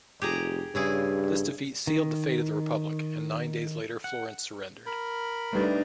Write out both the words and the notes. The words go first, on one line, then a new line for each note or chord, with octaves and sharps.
This defeat sealed the fate of the Republic, and nine days later Florence surrendered.
F1 G4 G#4 A#5
G2 C#3 E4 G#4
D#3
F#5
A#4 B5
G3 A3 D4 D#4 B4